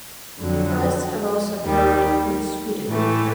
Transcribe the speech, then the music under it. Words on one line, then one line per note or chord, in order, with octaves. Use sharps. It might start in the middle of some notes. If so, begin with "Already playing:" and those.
Arrests have also occurred in Sweden.
F2 D3 F#3
D#2 D#3 G3
A2 E3 A3